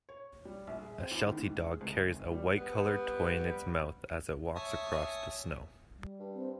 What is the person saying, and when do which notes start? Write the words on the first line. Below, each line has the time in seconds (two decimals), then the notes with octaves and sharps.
A Sheltie dog carries a whitecolored toy in its mouth as it walks across the snow.
0.09 C#5
0.45 G3
0.67 A#1
0.82 G#4
0.99 C4
1.11 E2
1.26 D#3
1.39 G#2
1.66 G#4
1.81 C#2
2.10 G#1
2.31 G3
2.56 G3 B3
4.55 C#5 E5 G#5 A5 C#6 D#6
5.97 G3
6.20 G2
6.35 C4